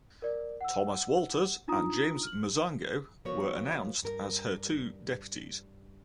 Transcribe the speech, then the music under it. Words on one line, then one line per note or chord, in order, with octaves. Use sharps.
Thomas Walters and James Masango were announced as two her deputies.
A#4 D5
F#5 E6
D4 D#4 F4 A#5 D#6
F6 F#7
F3 B3 F#4 A#4 C#5
G2 A#4